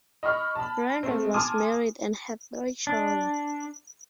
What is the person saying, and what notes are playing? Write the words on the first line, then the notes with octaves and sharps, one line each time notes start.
Brandon was married and had three children.
D#5 B5 C#6 F6
A5 B5
A3 C4
G#5 A5 C6 D6 D#6 F6
D4